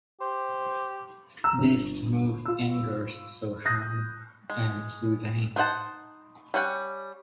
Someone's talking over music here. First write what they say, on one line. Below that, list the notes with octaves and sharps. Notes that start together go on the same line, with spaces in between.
This move angers Soham and Suzanne.
G4 C5
A#5 E6
G1
F4 E6
D#6 F#6 G6 A#6
G#3
B3 D#4 C5 F#5 A5
G3 C#4 F#5 G5